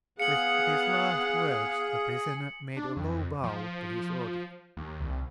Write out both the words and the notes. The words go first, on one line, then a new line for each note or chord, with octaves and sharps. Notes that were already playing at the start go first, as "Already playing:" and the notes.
With these last words, the prisoner made a low bow to his audience.
B3 G#4 F5 F#5 C#7 F#7
D4
F2
F3
D#2
C2